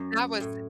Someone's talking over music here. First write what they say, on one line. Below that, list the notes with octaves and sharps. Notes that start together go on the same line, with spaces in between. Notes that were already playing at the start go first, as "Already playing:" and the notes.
That was
Already playing: F#2
A2